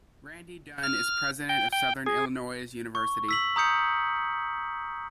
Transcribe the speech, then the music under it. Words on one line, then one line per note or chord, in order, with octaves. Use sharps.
Randy Dunn is President of Southern Illinois University.
F6
G5
G5
G#4
C#6
E6 B6 F#7
A#5 D#6 G6 C#7